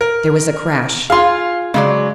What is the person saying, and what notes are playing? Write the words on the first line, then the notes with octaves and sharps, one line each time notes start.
There was a crash!
A#4
F4 G#4 F5 C6
C#3 F#3 G#3 D5